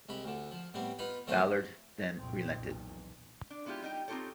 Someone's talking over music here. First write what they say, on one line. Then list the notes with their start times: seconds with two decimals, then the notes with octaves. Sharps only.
Ballard then relented.
0.09 C2 G#3 B5
0.24 D2 D3
0.51 F3
0.74 A2 G3 B3 C4
0.99 D#4 F4 B4 B5
1.27 D3 F3 A3 C4 F4 A4
2.18 C2 F2 A#2 C4
2.59 B1 E2
3.50 D4
3.66 G#3 B3 E4 F4 G4
3.82 G3 D#4 G4 G5
4.08 C4 D#4 F4 G4 A4 C#5